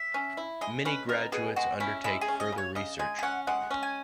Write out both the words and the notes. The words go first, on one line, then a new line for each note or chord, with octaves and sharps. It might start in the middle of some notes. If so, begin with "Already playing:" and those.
Many graduates undertake further research.
Already playing: E5
C#4
E4
G#3 D#5
C#4 B4
B2 A#4
B2 G#4
G#3 F#4
C#4 E4
G#3 E4
G#4
C#4
D#5
C#3
C#5
C#3 D#5
G#3 G#5
G#5
C#4 F#5
G#3 F#5
C#4
G#5